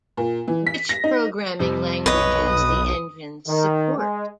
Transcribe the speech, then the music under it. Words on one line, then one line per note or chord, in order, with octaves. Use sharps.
Which programming languages the engines support.
A#2
E3
B6
A#6
D#4
F2 C3 G3
B1 B4 C#5 D#5
D#6
D#3
G#3